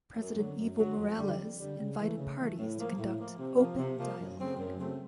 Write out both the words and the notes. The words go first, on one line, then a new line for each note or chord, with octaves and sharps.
President Evo Morales invited parties to conduct "open dialogue".
F#2
D3 F#3
F#2
D3 F#3
F2
D3 G3
F2
D3 G3
C#3
E3 A3
C#3
E3 A3
A2
F3 A#3
A2
F3 A#3
C3
F3 A#3
C3
F3 A#3
F#2
C#3 F#3 A3 C4
F#2
C#3 F#3 A3 C4